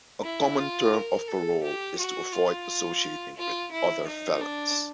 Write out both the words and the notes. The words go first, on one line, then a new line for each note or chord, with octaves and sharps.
A common term of parole is to avoid associating with other felons.
E4
F4
A#4
A4
G4
F#4
F4
F4
E4
D#4
D4